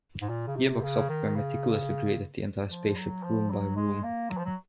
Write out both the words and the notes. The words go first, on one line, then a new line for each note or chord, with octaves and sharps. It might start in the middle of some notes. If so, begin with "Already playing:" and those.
Gearbox Software meticulously created the entire spaceship room-by-room.
G#2
A#2
C#3
C3
C#3
D#3
C#3
F3
F#3
F3
F#3
G#3
A#3
F#3
F3
F#3